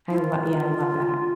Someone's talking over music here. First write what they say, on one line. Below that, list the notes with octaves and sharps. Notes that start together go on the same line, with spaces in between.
I lo yeah, I love that.
E4
F4